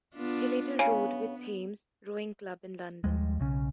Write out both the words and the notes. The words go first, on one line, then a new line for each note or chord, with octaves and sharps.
He later rowed with Thames Rowing Club in London.
B3 D4 F4
C#3 B3
D#2 F3 G3 G#3
B1 C#3 C#4